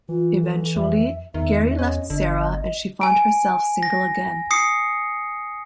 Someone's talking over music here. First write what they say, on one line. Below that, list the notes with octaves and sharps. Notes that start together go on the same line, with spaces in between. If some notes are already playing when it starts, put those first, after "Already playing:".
Eventually, Gary left Sarah and she found herself single again.
E3 F4
A4
F2 E5
E2 D#3 E5
C#4 D#5
G1 D3
G#5 D7
A#6
D#6 C7 C#7